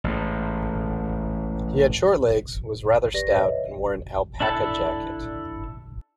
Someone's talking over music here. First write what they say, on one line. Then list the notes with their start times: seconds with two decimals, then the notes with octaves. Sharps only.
He had short legs, was rather stout, and wore an alpaca jacket.
0.04 A1 G#2
3.14 G4 B4 D5 A#6
3.31 B4 C#5 D#5 E5
4.40 D4 E4 A4 A5